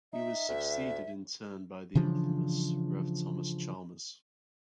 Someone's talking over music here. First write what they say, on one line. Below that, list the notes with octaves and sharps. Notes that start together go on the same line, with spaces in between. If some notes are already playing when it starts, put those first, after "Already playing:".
He was succeeded in turn by the infamous Rev Thomas Chalmers.
D#4 E5
D2
C#3 E3 F3 D4